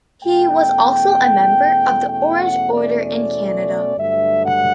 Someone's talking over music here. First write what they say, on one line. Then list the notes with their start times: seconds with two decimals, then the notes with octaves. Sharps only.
He was also a member of the Orange Order in Canada.
0.22 E2 B2 A3 C#4 G5
2.09 G5
2.42 F#5
2.73 D5
3.04 D5
3.97 G2 D3 F#3 A3 E5
4.44 F#5